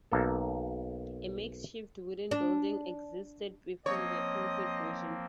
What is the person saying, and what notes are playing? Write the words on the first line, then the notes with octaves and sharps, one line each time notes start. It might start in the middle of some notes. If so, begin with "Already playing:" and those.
A makeshift wooden building existed before the concrete version.
B1 A#3 A4
D4
F3 A#3 C4 C#5 D#5